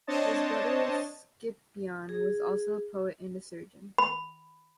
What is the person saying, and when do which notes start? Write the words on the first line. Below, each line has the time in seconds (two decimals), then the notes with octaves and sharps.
His brother Scipion was also a poet and a surgeon.
0.07 C4 D4 C5 C#5 D#5 A5
2.09 G#4
3.98 B5